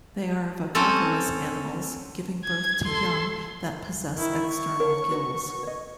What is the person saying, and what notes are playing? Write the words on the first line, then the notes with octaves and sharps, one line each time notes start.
They are viviparous animals, giving birth to young that possess external gills.
C4 C#4 A4
G#6
A4 C6
D#3 E4
C#6
A#4 C#5
F#4 B4
C#5 D#5